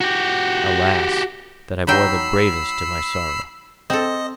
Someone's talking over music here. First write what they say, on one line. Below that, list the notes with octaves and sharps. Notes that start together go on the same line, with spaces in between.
Alas! that I bore the bravest to my sorrow.'
F#4 G4
F#3 D#4 G5 B5 E6 C7
C4 A4 D#5